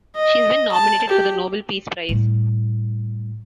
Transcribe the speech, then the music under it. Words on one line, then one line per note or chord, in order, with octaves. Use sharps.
She has been nominated for the Nobel Peace Prize.
D#5
A5
G4
A2 G3